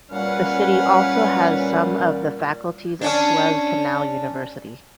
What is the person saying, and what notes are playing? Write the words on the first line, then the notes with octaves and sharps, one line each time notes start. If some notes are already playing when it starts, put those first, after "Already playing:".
The city also has some of the faculties of Suez Canal University.
A#2 G3 C#4 B4 F5 F#5
C#4 D4